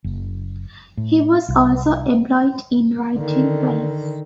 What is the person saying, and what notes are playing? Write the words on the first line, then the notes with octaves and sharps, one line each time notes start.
He was also employed in writing plays.
F#1
A2
C2
D3 D#3